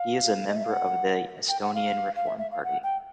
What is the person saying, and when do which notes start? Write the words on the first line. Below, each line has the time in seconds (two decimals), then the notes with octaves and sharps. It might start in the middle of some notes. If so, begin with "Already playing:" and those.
He is a member of the Estonian Reform Party.
Already playing: F5
0.48 D#5
0.56 E5
0.64 F5
0.71 F#5
1.48 G5
1.62 F#5
1.75 F5
2.16 F5
2.27 E5
2.38 E5
2.52 F5
2.64 F#5
2.83 G5